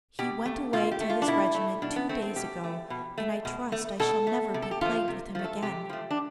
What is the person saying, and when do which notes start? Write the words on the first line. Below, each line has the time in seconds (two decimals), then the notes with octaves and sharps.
He went away to his regiment two days ago, and I trust I shall never be plagued with him again.
0.19 B2 G4
0.46 A3
0.73 B2 F4
0.91 G4
1.00 A3
1.10 F4
1.22 D4
1.28 B2 E4
1.55 A3
1.82 B2 D4
1.96 B3
2.09 A3 C4
2.22 C4
2.36 B2 G4
2.64 A3
2.90 B2
3.18 A3
3.45 B2
3.72 A3
4.00 B2 A4
4.27 A3
4.54 C3
4.62 A4
4.71 G4
4.81 F3 A3 F4
5.08 C3
5.35 F3 A3
5.44 A4
5.62 C3 G4
5.90 F3 A3
6.11 D4